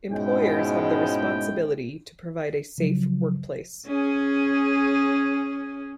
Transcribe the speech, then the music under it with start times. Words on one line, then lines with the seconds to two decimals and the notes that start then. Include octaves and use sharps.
Employers have the responsibility to provide a safe workplace.
0.11 G#2 B2 G#3 C#4 E4 G5
2.78 C#3 F3 F#3
3.86 C#4 G#4